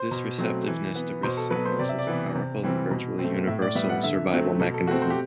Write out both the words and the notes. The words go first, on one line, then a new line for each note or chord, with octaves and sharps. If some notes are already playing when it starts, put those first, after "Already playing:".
This receptiveness to risk signals is a powerful and virtually universal survival mechanism.
Already playing: C5
B2
F#3 A3 C4
E3
B3
B2 C5
A4
F#3 B3 B4
C5
C3 D5
E5
D5
E3 B3
C3
E3 G3 C4
B2
A3 C4
A2 E5
D5
G3 B3 E5
F#5
D3 E5
F#3 A3 C4
B2 A4
A4
A3 C4 F#4
C5
G4